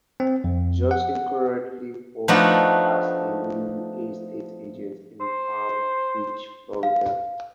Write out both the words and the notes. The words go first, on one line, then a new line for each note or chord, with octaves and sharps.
Johnson currently works as a real estate agent in Palm Beach, Florida.
C4
F2
F#5
F3 A3 B3 D4 D#4 F#4
C5
F5